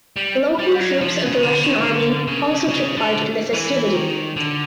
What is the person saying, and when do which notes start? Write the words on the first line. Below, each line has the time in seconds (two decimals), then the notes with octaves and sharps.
Local troops of the Russian army also took part in the festivity.
0.16 G3
0.59 G3
0.80 F#3
1.01 F3
1.22 C#3
1.42 D3
1.63 D#3
1.86 D3
2.27 C#3
2.69 C#3
2.97 D3
3.53 E3
3.95 D#3
4.36 D3